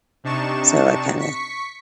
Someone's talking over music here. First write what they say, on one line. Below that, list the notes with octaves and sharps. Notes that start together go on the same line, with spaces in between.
So I kinda
C3 D4 D#4 A5 C#6 E7
C#6 B6 C#7